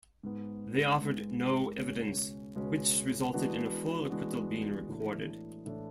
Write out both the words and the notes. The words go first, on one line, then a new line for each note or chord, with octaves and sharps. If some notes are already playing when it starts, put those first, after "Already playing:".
They offered 'no evidence' which resulted in a full acquittal being recorded.
G#2 G#3 B3
G#2 G#3 B3
C#2 B2 G#3 C#4
C#2 B2 G#3 C#4
E3 G#3 B3 D4 F#4
E3 G#3 B3 D4 F#4
A2 E3 A3 D4
A2 E3 A3 D4